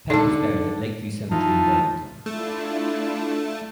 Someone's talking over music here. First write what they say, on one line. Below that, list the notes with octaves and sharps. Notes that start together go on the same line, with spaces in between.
Peck was buried at Lakeview Cemetery in Burlington.
D3 D#4 A4
E3 D#4 F4 A5
A3 D4 E4 F4